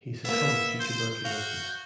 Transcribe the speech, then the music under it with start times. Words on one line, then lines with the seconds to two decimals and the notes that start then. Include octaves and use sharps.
He succumbs to tuberculosis.
0.25 A#3 B3 E5
0.80 C5 G6
1.25 F#4 F5